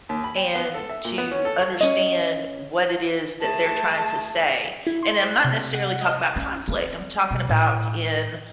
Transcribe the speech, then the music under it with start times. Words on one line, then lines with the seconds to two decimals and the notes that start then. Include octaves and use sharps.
and to understand what it is that they're trying to say. And I'm not necessarily talking about conflict, I'm talking about in,
0.09 D#2
0.24 B5
0.37 G5
0.55 B3
0.74 A4
0.90 E5
1.05 A#2
1.18 B3
1.31 C#4
1.45 A4
1.59 C#5
1.81 C#4 D#5
3.41 A3 G#4 A5
4.87 E4
5.03 C6
5.23 C5
5.44 C3
5.74 F#5
6.01 D#5
6.36 C#4 D#4
6.68 B3 C4
7.31 B2
7.49 A2